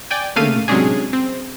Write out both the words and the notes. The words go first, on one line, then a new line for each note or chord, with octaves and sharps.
mainly humor.
D5 G5 G#5
C#3 A3 A#3 F5 D#7
C3 F#3 G#3 C#4 D4 G#4
C4